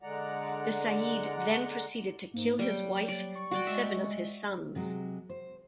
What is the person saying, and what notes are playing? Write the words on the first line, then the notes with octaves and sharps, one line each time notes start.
The Sayyid then proceeded to kill his wife and seven of his sons.
D3 G#3 D5 F#5 A#5
G#2 A#3
F#3 G3 G5
D5
C#6
F#4 D5 G5
G#3 E5
C3 F#3 G#3
C5